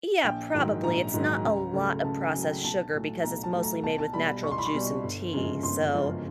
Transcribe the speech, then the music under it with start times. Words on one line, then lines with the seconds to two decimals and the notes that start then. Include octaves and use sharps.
Yeah, probably. It's not a lot of processed sugar because it's mostly made with natural juice and tea, so
0.24 A#1 G5
0.54 G#2 D#3 F#3
0.84 A#1 A#5
1.14 G#2 D#3 F#3
1.44 C#2
1.73 C#3 F#3 A3
2.04 C#2 A5
2.24 G#5
2.33 C#3 F#3 A3
2.43 G5
2.63 B1 A5
2.93 A2 F#3 A3
3.23 B1 A#5
3.43 A5
3.53 A2 F#3 A3
3.63 A#5
3.83 B1 A5
3.98 A5
4.13 B2 G3 B5
4.43 B1 C#6
4.51 C6
4.58 B5
4.66 C6
4.74 B2 G3
5.04 G1
5.33 F#2 C#3 F3 G#3
5.63 G1 C6
5.93 F#2 C#3 F3 G#3